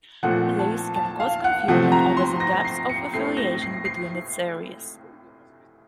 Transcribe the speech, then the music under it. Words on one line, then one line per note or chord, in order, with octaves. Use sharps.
This can cause confusion over the depth of affiliation between its areas.
A#2 F3 A3 C4 F#5
A5
A5
F5
F#5
C3 F3 A3 C4 F#5
A#5
C6
A#6
C7
C#7
A2 A3 C4 C7
A#6
C7
C7